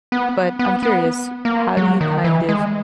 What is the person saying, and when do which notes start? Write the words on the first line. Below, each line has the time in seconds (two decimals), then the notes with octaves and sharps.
but I'm curious, how do you kind of
0.12 B3
0.59 B3
0.83 B3
1.45 A#3
1.77 F#3
2.01 D#3
2.24 E3
2.49 G#3